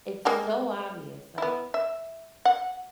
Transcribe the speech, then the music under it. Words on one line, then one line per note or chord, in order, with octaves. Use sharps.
it's so obvious, like,
G#3 A#3 G4
B3 E4
E5
F#5